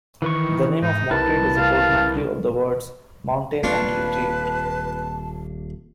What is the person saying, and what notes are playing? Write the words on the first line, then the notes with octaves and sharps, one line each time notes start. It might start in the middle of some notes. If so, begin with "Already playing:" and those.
The name of Montreat is a portmanteau of the words "Mountain" and "Retreat".
D#3 E3 B4 C#6
G#2 D#4
C2 E4 A#4 B4 A5
F5
D#1 A#3 C4 D4 F4 B4 C#5 A5